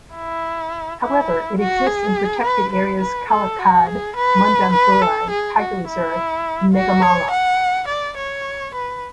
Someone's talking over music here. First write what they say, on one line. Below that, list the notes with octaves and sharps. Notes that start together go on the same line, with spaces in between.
However, it exists in protected areas Kalakkad Mundanthurai Tiger Reserve and Meghamalai.
E4
E4
F#4
G#4
B4
B4
B4
A4
F#4
G#4
B4
B4
A4
G#4
F#4
E4
F#4
C#5
F#5
D5
C#5
B4